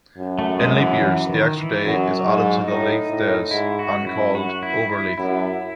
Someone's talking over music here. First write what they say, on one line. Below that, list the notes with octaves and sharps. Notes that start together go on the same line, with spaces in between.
In leap years, the extra day is added to the Lithedays and called Overlithe.
F#2
A3
G#3
E3
D#3
E3
D#3
E3
F#2 F#3
G#2
A2 D#4
A2
G#2 E4
F#4
F#2
E4
F#4
E4
E4
F#2 E4